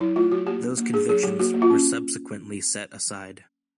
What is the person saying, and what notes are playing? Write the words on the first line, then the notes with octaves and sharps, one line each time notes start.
Those convictions were subsequently set aside.
F#3 E4
A3 F4
F#3 F#4
A#3 G4
D4
A#3
D4 G#4
F#3 G#4
F#3 G4
A#3 F#4
A#3
F4
C#4